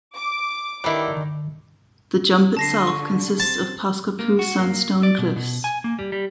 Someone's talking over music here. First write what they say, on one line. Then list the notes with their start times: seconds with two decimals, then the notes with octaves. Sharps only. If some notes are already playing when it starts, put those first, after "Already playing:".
The jump itself consists of Paskapoo sandstone cliffs.
0.16 D6
0.84 D#3 G3 B3 D4 E4
2.57 D3 A5 A#6 C7
2.87 C#6
3.40 C4 A5
4.19 A#3
4.39 F#4
4.58 A#3
5.03 D5
5.18 B2
5.36 B2
5.64 G#5
5.84 A#3
5.99 G3
6.12 G3